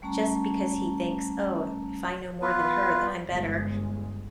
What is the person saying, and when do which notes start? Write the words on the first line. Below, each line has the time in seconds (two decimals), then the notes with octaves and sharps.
just because he thinks, "Oh, if I know more than her, then I'm better,"
0.02 G3 A3 C#4 A5 A#5
2.42 B3 F4 B4
3.28 G1 G#3